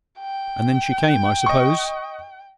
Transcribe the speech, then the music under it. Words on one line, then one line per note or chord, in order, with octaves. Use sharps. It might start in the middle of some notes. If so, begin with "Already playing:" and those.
"And then she came, I suppose."
G5
D#5 C#6